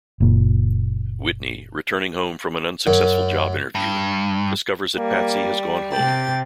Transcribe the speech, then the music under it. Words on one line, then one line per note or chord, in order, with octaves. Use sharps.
Whitney, returning home from an unsuccessful job interview, discovers that Patsy has gone home.
F#1 A#2
F#2
G2
G3 A#3
C3 G4 G5 A6